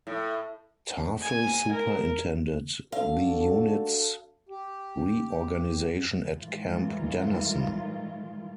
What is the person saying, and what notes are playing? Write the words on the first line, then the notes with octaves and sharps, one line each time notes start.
Tafel superintended the unit's re-organization at Camp Dennison.
A2
G#5
A#4
D4 F#4 A4 F5
G4
A2 D#3 E3 G3 G#3 F4